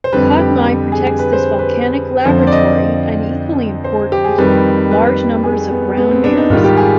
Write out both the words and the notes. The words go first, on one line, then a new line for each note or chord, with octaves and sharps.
Katmai protects this volcanic "laboratory" and, equally important, large numbers of brown bears.
C5
F2 D3 G3 B4
G4
G4
G#4
B4
C5
B4
F2 D3 F3 C5
D5
D#5
D5
C5
G4
G#4
F2 D#3 G3 B4
B4
G#4
B3
B3
C4
D4
D#4
G#2 D#3 G3 F4
G4
G#4